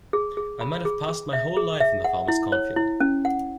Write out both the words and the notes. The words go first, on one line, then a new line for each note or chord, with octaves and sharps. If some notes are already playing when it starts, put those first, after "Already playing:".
I might have passed my whole life in the farmer's cornfield.
G#4
G#4
B5
G#4
G#4
E5
G#4
E5
F#5
E4
C#5
E4
C#4
F#5